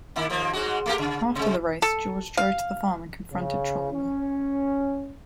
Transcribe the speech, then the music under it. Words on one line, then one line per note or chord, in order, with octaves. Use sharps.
After the race, George drove to the farm and confronted Trolinger.
D#3 A#3 E4
D#2 F3 A#3
G#2 G#3 F#4
A3 A#3 G4
C#3
C3 G#3
A4
F5
C#3
C#4